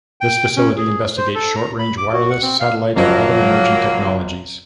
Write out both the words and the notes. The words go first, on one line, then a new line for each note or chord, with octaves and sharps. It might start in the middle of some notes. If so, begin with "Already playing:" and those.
This facility investigates short-range wireless, satellite, and other emerging technologies.
G5
C#4
G#4
C5
A4
A#5
B5
D6
F#4
F#5
C4
F5
F#1 F3 F#3 A#3